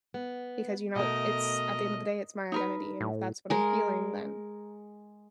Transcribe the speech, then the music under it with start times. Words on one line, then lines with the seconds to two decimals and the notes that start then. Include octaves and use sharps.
because, you know, it's at the end of the day, it's my identity, and if that's what I'm feeling, then
0.14 B3
0.96 B2 A3 A#4 D#5
2.52 D#4 A#4 B4
3.00 A2
3.50 G#3 A#4